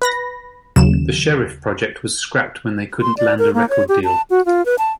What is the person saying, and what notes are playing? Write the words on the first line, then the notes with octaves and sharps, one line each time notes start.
The Sheriff project was scrapped when they couldn't land a record deal.
B4 B5 A#6
D#2 C#3 F#3 E7
C6
D5
A#4
A#3
C#5
G4
A5
F#4
F4
B4
A5